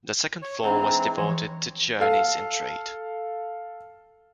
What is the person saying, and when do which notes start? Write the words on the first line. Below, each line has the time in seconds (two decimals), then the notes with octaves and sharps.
The second floor was devoted to journeys and trade.
0.42 C#5
0.63 E3 G#3 C4 D4 D#4 A#5
0.82 G#4
1.17 E3 F3 C#5
2.00 A4 F5